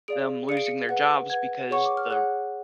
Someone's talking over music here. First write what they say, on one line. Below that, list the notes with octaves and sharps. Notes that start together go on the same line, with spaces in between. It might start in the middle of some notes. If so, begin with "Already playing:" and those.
them losing their jobs because the
G#4 D5 F5 D7
G#4 D5 F5 C#7
D7
C#7
B4 F#5
B4 F#5 G#6
G#4 C#5 F#5 C#6
D6
F6
G#4 C#5 F#5 F#6